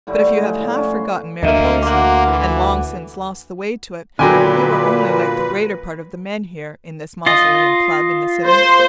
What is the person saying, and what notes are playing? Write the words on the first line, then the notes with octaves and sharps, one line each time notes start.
But if you have half forgotten Mariposa, and long since lost the way to it, you are only like the greater part of the men here in this Mausoleum Club in the city.
A2 D3 G3 A3
C5
F3 G#3
A2 D3
C#4
C6
D2 D3 A#3 D#5 E5
A#3 F#4 C6 D6
E3
A#2 D3 F#3 B4 G5 G#5 D6
F4 D#5
C5